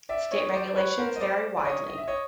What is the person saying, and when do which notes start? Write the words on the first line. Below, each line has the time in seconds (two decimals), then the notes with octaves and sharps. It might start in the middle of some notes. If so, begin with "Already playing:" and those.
State regulations vary widely.
0.09 D5 E5
0.32 C#5 D#5
0.54 C5 D5
0.76 B4 C#5
0.98 A#4 C5
1.16 D#5
1.20 C5 D5
1.57 D5
1.65 C#5 D#5
1.88 D#5
1.98 E5
2.08 C#5 D#5